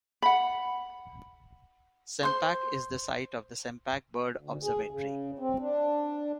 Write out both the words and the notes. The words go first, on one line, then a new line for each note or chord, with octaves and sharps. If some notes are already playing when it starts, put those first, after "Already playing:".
Sempach is the site of the Sempach Bird Observatory.
F#5 B5
C5 C6
D2
G#4
C#3
C4
D4